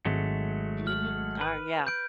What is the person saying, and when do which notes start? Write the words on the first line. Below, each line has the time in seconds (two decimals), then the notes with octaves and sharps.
Mhm, oh yeah.
0.05 G#1 F#3 G#3 A3
0.87 F6 F#7
1.41 B4
1.87 G6 D7